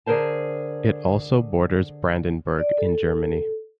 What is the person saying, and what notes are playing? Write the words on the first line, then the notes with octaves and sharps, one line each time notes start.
It also borders Brandenburg in Germany.
D3 G#4 A#4 C5 A5
D5
A4